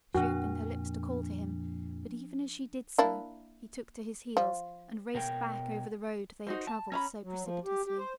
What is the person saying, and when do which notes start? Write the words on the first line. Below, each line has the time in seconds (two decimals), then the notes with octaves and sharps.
She opened her lips to call to him, but even as she did so he took to his heels and raced back over the road they had traveled so precipitously.
0.15 F2 A#2 F3 D4 F#4
2.98 A#3 D4 E4
4.37 F3
5.15 B2 A#4 C#5 G5
6.47 D#4 F#4 C5
6.67 A5
6.92 C#4 A#5 B5
7.23 F#3
7.44 F3
7.65 G4
7.86 G4
7.99 C5